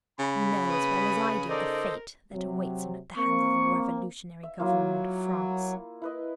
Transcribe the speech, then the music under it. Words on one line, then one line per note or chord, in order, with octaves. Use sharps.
You know as well as I do the fate that awaits him at the hands of the Revolutionary Government of France.
C#3 B5
B4 D#6
D#4 A4 A#4 C5 D5 D#5
C3 F#3
A#3 C4 C#6
E5
F#3 A#3 E4 F4
E4 B4 D#5